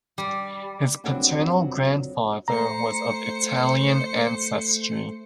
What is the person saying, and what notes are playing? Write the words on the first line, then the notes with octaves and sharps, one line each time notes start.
His paternal grandfather was of Italian ancestry.
G3
F2 F#3 G3 B3 C4 D4
A3 C5 A#5 C#7